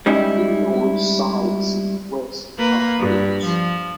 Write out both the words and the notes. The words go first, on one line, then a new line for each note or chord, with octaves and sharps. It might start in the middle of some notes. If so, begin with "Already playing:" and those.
He now resides in West Palm Beach.
G3 G#3 C#4 D#4 E4
A#3 B4
G2
F3